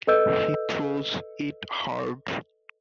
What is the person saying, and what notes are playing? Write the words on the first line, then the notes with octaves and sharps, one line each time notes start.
He throws it hard.
A4 B4 D#5 E6 G6